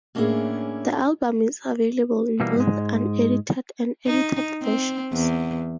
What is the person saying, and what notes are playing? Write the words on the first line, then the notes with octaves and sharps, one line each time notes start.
The album is available in both unedited and edited versions.
A2 A#3 C#4 D4 E4 G#4
B2 E3 G3 A#3
G#2 G#3
D#4
C4
E2